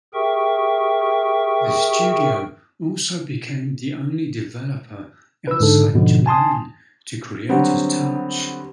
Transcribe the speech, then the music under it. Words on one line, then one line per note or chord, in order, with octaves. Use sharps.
The studio also became the only developer outside Japan to create a Touch!
G4 G#4 A#4 E5 G5 C#6
B4 E6
G#2 D3 A4
G#2 B2 D3 F3
G#5 A5 C6 D#6
D3 F#3 G3 B3 C4